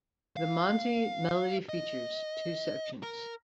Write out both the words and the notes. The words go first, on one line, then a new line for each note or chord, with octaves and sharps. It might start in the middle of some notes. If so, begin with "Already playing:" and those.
The Monte melody features two sections.
F5
D#5
A#4